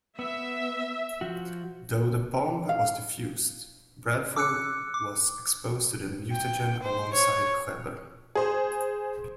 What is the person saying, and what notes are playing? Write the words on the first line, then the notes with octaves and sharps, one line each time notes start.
Though the bomb was defused, Bradford was exposed to the mutagen alongside Xever.
B3 E5
F3 F#4
F5
D6 E6 F#6 C#7
D6
G5
C5
C#5
G#4 C5